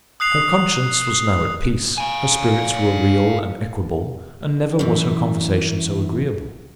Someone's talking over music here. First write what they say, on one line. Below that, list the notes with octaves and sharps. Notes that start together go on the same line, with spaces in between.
Her conscience was now at peace; her spirits were real and equable, and never was her conversation so agreeable.
D#6 F#6 C7 F7
F5 G#5
F#2 E3